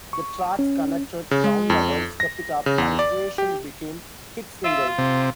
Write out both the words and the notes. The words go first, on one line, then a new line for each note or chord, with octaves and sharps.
The tracks "Connected", "Ground Level", "Step It Up" and "Creation" became hit singles.
C#6
C#4
C#3
G#3
F2
A#6
C#3
E2
D5
G4
F4 E5
C3